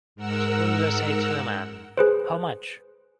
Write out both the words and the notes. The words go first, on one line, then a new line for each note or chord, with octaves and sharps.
Suppose I say to a man, "how much?"
G#2 A#4 F#5 E6
G#4 B4 C5